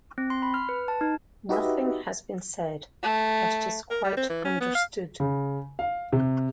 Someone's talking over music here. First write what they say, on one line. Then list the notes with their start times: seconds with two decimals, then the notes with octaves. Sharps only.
Nothing has been said, but it is quite understood.
0.18 C4
0.30 C6
0.42 B5
0.54 F6
0.69 B4
0.88 A5
1.01 D#4
1.49 D#4 F#4 G4 B4 D#5 E5
3.03 A3
3.91 A#4
4.04 G3
4.17 C4
4.30 E3
4.45 C#4
4.61 B3
4.75 F5
5.20 C#3
5.79 F5
6.13 C3